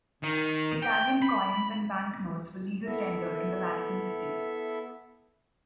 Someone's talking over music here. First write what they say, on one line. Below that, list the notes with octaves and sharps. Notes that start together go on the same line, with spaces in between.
Italian coins and banknotes were legal tender in the Vatican City.
D#3
G5
B5
B3 E4 A4 E5